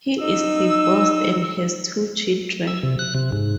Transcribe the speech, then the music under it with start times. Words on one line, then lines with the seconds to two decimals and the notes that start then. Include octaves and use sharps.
He is divorced and has two children.
0.21 D#4 E6
2.67 E6
2.83 C3
2.99 F#6
3.15 C3
3.32 G#2